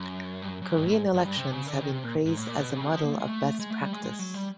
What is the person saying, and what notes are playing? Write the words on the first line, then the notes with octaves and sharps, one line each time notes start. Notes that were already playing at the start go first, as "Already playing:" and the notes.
Korean elections have been praised as a model of best practice.
Already playing: F#2
G2
F#2
F#2
G2
A2
G#2
F#2
G2
C3
C#3
D3
D#3
C3
A#2
G#2
A2
A#2
B2
C3
C#3
C3
F3
A#3
A3
G#3
A3
G#3
A3
G3
G#3
G#3
F#3
G3